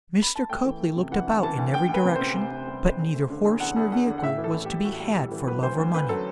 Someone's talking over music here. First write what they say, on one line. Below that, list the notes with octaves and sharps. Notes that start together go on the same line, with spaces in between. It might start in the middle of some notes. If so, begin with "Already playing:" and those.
Mr. Copley looked about in every direction, but neither horse nor vehicle was to be had for love or money.
B5
A5
A3 G5
E3
A3
C3
E3 F#5
D2
E3 A5
D2
D2 G5
D2
B4
C3
C5
C3
C3
D2
G3
D2
E2
A3
D3
E2
E2 F#5
E2
E2 F#5
D3
F#5
A2 E5
E3
A4
A2
A2 G4
A2 F#4
G3
A2 G4
E3
F#3 B4
D2 C5
D2
D2 B4
F#3 A4